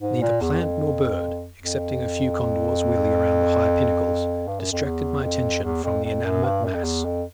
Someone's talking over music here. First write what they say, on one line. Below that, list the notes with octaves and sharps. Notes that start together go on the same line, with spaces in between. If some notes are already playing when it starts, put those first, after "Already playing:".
Neither plant nor bird, excepting a few condors wheeling around the higher pinnacles, distracted my attention from the inanimate mass.
G#2
A#2
E2
F2
F2
G2
F#2
F2
E2
F2
E2
F2
F2
F#2
G2
F#2
F2
E2
F2